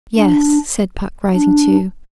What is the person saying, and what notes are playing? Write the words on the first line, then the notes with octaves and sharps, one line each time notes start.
'Yes,' said Puck, rising too.
D4
D4